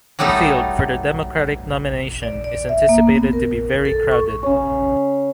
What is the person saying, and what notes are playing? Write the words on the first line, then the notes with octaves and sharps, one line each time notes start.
The field for the Democratic nomination is anticipated to be very crowded.
F#3 G3 A3 B3 D#4
D5
D5
E5
A#3
B3
A#4
A4
C#6
C#3 C#5